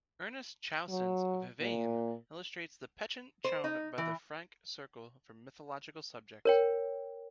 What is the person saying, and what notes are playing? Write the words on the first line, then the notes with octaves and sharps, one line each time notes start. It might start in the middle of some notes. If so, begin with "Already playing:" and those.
Ernest Chausson's "Vivane" illustrates the penchant shown by the Franck circle for mythological subjects.
F#3
A#2
C5
D#4
E3
A#4 C#5 G5